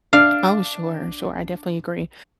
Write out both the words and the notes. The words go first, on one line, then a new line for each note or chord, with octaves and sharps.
Oh, sure, sure, I definitely agree,
D4 F5